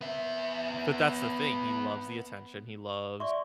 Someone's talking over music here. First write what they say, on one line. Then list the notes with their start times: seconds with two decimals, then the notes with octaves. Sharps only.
but that's the thing, he loves the attention, he loves
0.01 B3 E5
3.20 D5 E5 C6 C#6